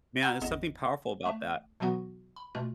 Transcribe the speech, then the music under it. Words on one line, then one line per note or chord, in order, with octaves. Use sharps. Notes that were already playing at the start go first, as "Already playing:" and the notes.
man, there's something powerful about that.
F#5 A#5 B5 E6 F6
G#1 E2 B3 D#5 A#6 E7
A3 E5
B2 E3 F#3 B3 F#4
B5
B2 A3 F4